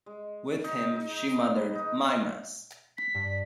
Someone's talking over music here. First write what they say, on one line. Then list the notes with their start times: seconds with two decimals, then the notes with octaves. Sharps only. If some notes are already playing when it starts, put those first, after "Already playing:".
With him, she mothered Mimas.
0.06 G#3
0.64 D#4
0.96 D#4
1.31 D#3
1.56 B4
1.75 D#4
2.98 B6
3.15 G2